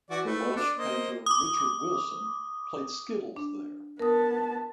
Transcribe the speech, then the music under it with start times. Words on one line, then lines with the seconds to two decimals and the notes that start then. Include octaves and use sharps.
The Welsh painter Richard Wilson played skittles there.
0.10 E3 F#4 D5
0.26 A3 B4
0.56 D4 D5
0.77 A#3 C5 D#5
1.26 D6 D#6
3.36 D4
3.99 B3 A#4 A5 D#6